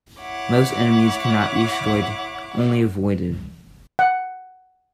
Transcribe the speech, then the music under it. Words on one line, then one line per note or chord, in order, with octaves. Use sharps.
Most enemies cannot be destroyed, only avoided.
E4 C#5 F#5 D6
F#5